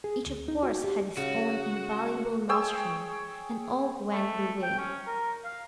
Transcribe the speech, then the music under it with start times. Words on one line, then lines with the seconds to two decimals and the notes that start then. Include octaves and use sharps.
Each, of course, had his own invaluable nostrum; and all went their way.
0.04 G#4
0.26 D2
0.48 D#4
0.63 F#4
0.84 G4
1.17 C#3 F#4
2.49 G#4 C#5 G5 E6
4.12 A3
4.62 G5
4.78 C#4
5.07 A#4
5.45 F5